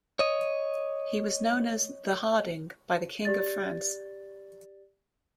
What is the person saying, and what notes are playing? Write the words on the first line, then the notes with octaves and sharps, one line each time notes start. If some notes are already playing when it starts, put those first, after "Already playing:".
He was known as "the Harding" by the king of France.
C#5 D#5
G4 D5 A6